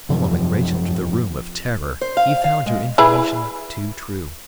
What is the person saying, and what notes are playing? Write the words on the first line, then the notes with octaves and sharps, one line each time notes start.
Following Rachel to the room of terror he found her information too true.
F#2 C3 F3
C5
F5
F5
G#3
E4 G#4 B4